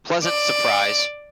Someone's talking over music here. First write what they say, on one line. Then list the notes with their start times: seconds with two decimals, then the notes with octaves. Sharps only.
Pleasant surprise!
0.24 D5